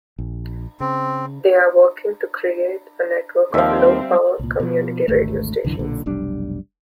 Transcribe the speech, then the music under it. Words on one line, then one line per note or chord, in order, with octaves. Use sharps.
They are working to create a network of low power community radio stations.
A#1
C#3 C4
D#2 F3 G3 C4 E5 F5
C2 A#2
B2 F3
G#1 D2 A3
C2 F#2 D3 E3
B1 A#2 D3
F1 B1 G3 D4